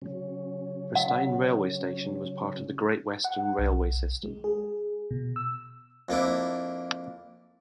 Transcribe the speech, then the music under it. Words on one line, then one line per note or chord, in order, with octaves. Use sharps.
Presteign railway station was part of the Great Western Railway system.
C#3 F#3 C#4
F#5
F#5
B1
G#3
G#4
B2
E6
F2 A#3 D4 E4